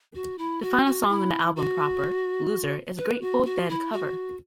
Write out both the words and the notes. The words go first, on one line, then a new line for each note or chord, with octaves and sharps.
The final song on the album proper, "Loser" is a Grateful Dead cover.
F#4
E4
F#4
F#4
E4
F#4
B4
F#4
F#4
E4
F#4